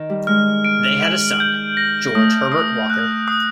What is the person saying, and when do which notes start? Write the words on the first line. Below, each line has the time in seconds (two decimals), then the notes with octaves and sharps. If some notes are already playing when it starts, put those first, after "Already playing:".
They had a son, George Herbert Walker.
Already playing: D#3
0.10 G3
0.27 G#3 F6
0.65 D7
1.03 F#7
1.40 G6
1.77 A#6
2.15 A3 D#6
2.52 D#6
2.90 F#6
3.28 D#6